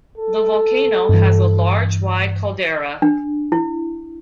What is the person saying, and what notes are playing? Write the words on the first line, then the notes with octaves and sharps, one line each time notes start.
The volcano has a large wide caldera.
A4
G2 E3
D4
E4